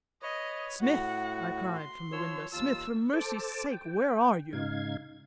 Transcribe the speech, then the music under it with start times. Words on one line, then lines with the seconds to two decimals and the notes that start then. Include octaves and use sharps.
"Smith!" I cried from the window; "Smith, for mercy's sake where are you?"
0.22 B4 C#5 D#5
0.82 A2 F#4 F#5
1.75 C6
2.12 F3 C#5 E6
2.53 D#2 F4 A5 E6
3.13 A4 C5 A5 D6
3.71 G5
4.53 G#2 C#3 D#4 F5 G#6